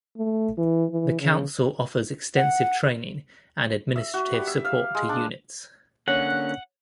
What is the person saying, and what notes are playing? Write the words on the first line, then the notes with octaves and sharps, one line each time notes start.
The council offers extensive training, and administrative support to units.
A3
E3
E3
C#3
F#5
E5
F#4
G3
E5
F5
G#3
D4
D3 A#3 C#4 C#5 F#5 F#6